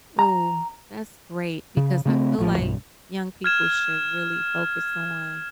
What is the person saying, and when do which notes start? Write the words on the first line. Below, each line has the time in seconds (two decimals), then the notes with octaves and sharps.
Ooh, that's great because I feel like, young people should really focus on
0.19 A#5
1.77 C#3
2.05 C#3 A3 C4
2.38 A1 A2 F3
2.58 B1 G2
3.44 F6 G#6 E7